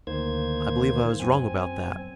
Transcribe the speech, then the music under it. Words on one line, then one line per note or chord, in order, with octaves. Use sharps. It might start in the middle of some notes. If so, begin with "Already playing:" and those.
I believe I was wrong about that.
D2 D#3 A#3 C5 G#6
F#2 C4 G#5